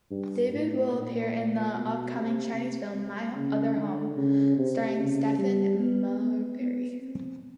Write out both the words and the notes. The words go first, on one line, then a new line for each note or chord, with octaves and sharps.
Davis will appear in the upcoming Chinese film "My Other Home" starring Stephon Marbury.
G2
A2
A#2
B2
C3
C3
C#3
D3
C#3
C3
C#3
G3
B3
B3
B3
C4